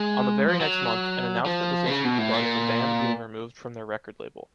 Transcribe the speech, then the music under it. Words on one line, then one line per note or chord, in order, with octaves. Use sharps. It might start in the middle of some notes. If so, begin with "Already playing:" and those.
On the very next month, an announcement was issued regarding the band being removed from their record label.
Already playing: G#3
F3
F#3
F3
C3
C#3
B2
A2
A#2